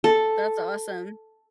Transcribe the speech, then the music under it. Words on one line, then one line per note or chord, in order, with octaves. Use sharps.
that's awesome.
A4